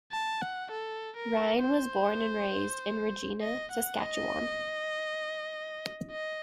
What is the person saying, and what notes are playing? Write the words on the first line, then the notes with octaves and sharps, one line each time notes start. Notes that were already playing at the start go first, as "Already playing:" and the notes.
Ryan was born and raised in Regina, Saskatchewan.
A5
F#5
A4
A#4
C5
D#5
F#5
D#5
D#5